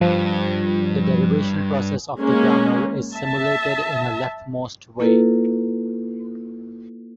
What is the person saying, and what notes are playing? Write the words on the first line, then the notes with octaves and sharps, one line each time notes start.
The derivation process of the grammar is simulated in a leftmost way.
G2 F3
G#3 A#3 C#4
E5 A5
A#3 E4 F4 A4 B4